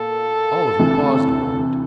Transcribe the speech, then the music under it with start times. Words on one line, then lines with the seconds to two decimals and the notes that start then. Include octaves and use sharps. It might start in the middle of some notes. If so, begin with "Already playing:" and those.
Oliver paused a moment.
Already playing: A#2 A#3 A4
0.79 D2 C3 E3